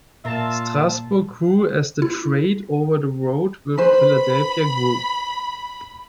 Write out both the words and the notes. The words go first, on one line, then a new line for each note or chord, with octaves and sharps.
Strasburg grew as the trade over the road with Philadelphia grew.
A#2 F4 A#4 E5 A5
E4
B4 C5 B5